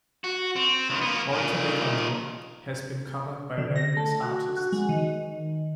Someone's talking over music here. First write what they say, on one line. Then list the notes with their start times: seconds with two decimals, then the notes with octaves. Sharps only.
"All Together Now" has been covered by various artists.
0.24 F#4
0.56 C4
0.90 C#2 D#3
1.01 A#3 B3
1.32 A#2 D#3
3.58 D3
3.76 A#6
3.97 A3
4.23 F#4
4.57 F#4
4.72 G#3
4.89 D#3